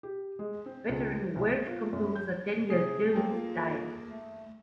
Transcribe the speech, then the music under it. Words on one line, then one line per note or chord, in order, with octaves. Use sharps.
Veteran Welsh composer Daniel Jones died.
G4
G#3
C4
C#2
C5
C2
B3
F4
F#2
G6
C3 G#4 C7
A#3 C4 G#4 A4
F4
A3